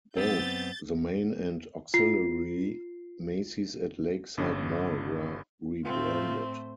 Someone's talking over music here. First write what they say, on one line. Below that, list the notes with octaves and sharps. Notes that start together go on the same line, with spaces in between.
Both the main and auxiliary Macy's at Lakeside Mall were rebranded.
F#2 B3 C4 G6 A6
F4 C7
G1 G2 C#4
A2 A3 C4 F4 C5